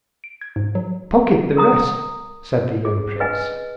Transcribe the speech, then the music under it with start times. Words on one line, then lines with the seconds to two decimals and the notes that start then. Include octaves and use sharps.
"Pocket the rest," said the young prince.
0.24 D7
0.41 G#6
0.56 G#2
0.75 F#3
1.57 A#4 A#5 D#6
2.85 G#4
3.20 B4 D#5 G#5